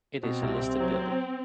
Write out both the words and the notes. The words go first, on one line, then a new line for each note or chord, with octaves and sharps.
It is a listed building.
B2 C4
C2
C2
F#3